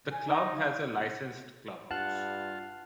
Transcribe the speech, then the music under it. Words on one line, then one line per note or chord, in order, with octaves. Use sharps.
The club has a licensed clubhouse.
G#5
D#4
F5
G2 F4 F#5 A5 F#6